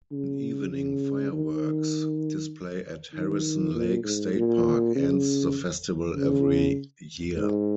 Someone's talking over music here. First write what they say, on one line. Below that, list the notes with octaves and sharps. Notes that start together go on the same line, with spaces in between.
An evening fireworks display at Harrison Lake State Park ends the festival every year.
C#3
C#3
D#3
D#3
A#2
G#2
A#2
C#3
C#3
G#2